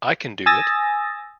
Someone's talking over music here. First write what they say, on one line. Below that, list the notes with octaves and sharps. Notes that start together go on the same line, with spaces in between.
I Can Do It!
G#5 D#6 E6 A6 A#6